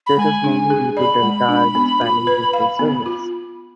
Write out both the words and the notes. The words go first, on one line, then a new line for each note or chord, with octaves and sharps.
This is mainly due to Delta's expanding Tokyo service.
B5
G#3 G#5
D4
G#4
D5 B5
G#3
D4
B3
F4
B4
F5
B3
F4